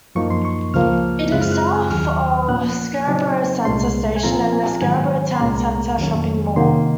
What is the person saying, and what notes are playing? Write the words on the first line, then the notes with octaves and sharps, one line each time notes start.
It is south of Scarborough Centre station and the Scarborough Town Centre shopping mall.
F#2 F3 A#3 D#4 C#6
C6
C#6
C#2 C#3 F3 A#3 F6
F#2 C#3 G#3 C4 F4 F#6
F6
F#6
D#2 D#3 F#3 F6
A#2 F3 A#3 C#4 F#6
C#3 F#3 C4 D#4
C2 A#2 G#3 C#4 C6
G#5
A#2 F3 C4 F4 A#5
G#5
G#2 D#3 F#3 G#5
C6
C2 A#2 G#3 C#4 A#5
F2 D#3 F#3 A#3 C#4
C3 D#3 A#3 D#4 C6